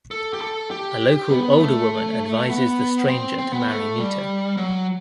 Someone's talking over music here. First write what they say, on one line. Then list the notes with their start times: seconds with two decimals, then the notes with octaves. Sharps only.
A local older woman advises the stranger to marry Nita.
0.11 A4
0.33 G4
0.41 A4
0.71 G4
1.30 B3
1.60 A3
2.49 B3
3.08 C4
3.38 C4
3.53 B3
3.68 A3
3.98 G3
4.57 F#3